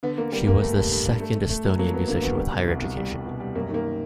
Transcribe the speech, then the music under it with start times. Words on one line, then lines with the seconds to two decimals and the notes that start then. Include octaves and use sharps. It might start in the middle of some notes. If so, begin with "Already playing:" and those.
She was the second Estonian musician with higher education.
0.03 D3 B3
0.18 D3 A#3
0.32 G3 A#3
0.47 G3 A#3
0.61 G2 A3
0.77 G2
0.92 G2
1.06 G2
1.20 A3
1.35 A3
1.49 A3
1.65 F#3
1.79 F#3 A#3
1.93 F#3 B3
2.08 D3 A#3
2.23 D2 B3
2.37 G3
2.52 B2
2.68 C2
2.81 C2
2.96 G3
3.11 C2
3.26 B2
3.40 G3
3.55 F#2 A#3
3.69 D#3 A#3